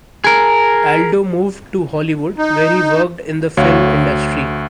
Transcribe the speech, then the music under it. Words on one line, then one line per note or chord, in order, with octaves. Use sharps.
Aldo moved to Hollywood where he worked in the film industry.
G#4 A#4
D#4
D2 F#4 C#5 F5